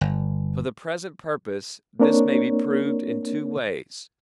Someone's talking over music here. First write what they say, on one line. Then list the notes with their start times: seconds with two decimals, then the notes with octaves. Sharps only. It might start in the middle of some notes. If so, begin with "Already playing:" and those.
For the present purpose this may be proved in two ways.
0.01 G1
1.99 A#3 C4 D4 A#4 C#5